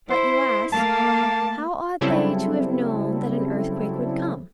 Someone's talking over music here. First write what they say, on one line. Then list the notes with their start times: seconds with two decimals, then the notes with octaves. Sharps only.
But you ask, How ought they to have known that an earthquake would come?
0.10 E4 C5
0.72 A3 A#3 F5 A5
2.01 C#3 F#3 G3 C4 E4 A4